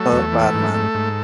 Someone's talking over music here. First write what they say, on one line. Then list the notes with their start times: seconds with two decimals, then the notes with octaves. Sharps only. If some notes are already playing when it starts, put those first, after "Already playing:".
Per Badman.
Already playing: F#3 A3 A4
0.12 E2
0.32 E3
0.53 G#2
0.74 A3
0.94 G#2